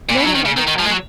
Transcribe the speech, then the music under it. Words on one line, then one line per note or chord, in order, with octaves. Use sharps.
No, no, no, you're fine.
A#2
B2
F#3
D#3
C#3
D#3
D#3
F3
G#3
F#3